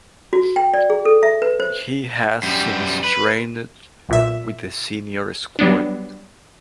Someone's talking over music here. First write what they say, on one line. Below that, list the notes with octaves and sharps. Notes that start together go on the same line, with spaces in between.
He has since trained with the senior squad.
F#4
G5
D5
G#4
A4
E5
B4
C5
F#2 G3
B4
B1 A#2 E5
F#3 G3 B3 D4